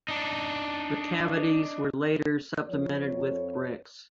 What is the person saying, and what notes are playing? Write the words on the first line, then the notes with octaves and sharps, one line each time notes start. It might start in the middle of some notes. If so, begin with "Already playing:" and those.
The cavities were later supplemented with bricks.
D4 D#4
F2 C#5